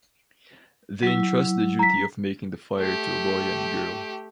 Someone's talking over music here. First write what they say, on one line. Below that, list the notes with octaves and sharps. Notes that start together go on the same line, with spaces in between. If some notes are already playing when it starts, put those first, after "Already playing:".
They entrust the duty of making the fire to a boy and girl.
F#3 E4
A#5 B6
A3 G4